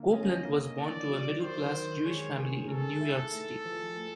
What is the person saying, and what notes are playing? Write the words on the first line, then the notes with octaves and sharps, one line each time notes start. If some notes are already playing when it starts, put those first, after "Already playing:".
Copeland was born to a middle-class Jewish family in New York City.
Already playing: D3 A#3
C#4 D#5
A#3
D4 D5
F#3
D#3 C5
D#3
G#3 C#5
G#3
G#3 A4
E4
A3
F3
A3